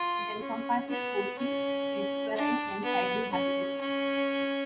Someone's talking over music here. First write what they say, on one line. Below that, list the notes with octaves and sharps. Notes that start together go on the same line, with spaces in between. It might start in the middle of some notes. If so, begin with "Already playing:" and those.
It encompasses coastal, estuarine, and tidal habitats.
Already playing: F4
C#4
B3
C#4
D4
B3
C#4
C#4